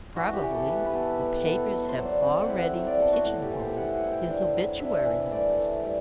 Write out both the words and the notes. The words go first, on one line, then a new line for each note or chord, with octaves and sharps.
Probably the papers have already pigeon-holed his obituary notice.
E3 F#4
G4
E3
A4
B3 B4
B4
B3 A4
B2 B4
B2 A4
F#3 A4
C5
F#3
D5
C4
F#5
E4 E5
F#5
F#3 E5
D5
B3 A4
F#4
A2 F#4
G4
E3
C5
E4 F#5
F#5
E4
G5
D4
F#3
D4 E5
E3
A3 D5
A3
G3